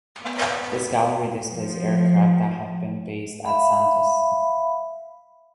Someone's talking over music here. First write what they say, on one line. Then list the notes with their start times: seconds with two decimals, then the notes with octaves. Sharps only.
This gallery displays aircraft that have been based at Santos.
0.22 B3
1.50 F3
3.45 E5 F5 B5